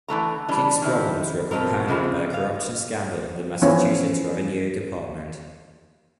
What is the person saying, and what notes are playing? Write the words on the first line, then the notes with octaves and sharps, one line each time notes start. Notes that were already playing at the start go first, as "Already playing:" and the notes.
King's problems were compounded by a corruption scandal in the Massachusetts Revenue Department.
D3 E3 A3 A#5
E3 G3 D4
D#3 G#3 C4 E4
B2 F3 G#3 C4 A#4
C#3 E3 F3 G#3 C4
F5
E3 F3 B3 C#4 E4